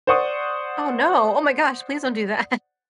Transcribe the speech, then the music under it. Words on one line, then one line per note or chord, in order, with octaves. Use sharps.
Oh, no. Oh my gosh please don't do that.
C5 D5 F#5 C#6 D#6